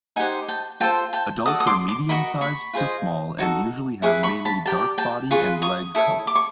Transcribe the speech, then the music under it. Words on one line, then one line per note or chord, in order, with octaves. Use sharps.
Adults are medium-sized to small and usually have mainly dark body and leg colours.
D#4 G4 C5 F#5 G#5
G5 A5
F4 A4 C5 G5 A5
G5 A5
F#4 A4 D5 D#6
D#6
C6 D6
C6 D6
F#4 A#4 D#5 B5 C#6
B5 C#6
F4 G#4 C5 D#5
D#4 F#4 A4
E4 G#4 B4 C#6
B5 C#6
A5 B5
G4 A#4 D5 G5 A5
G5 A5
F4 G#4 B4 C#6
C#6 D#6
E4 A4 C#5 D#6
D6
C#6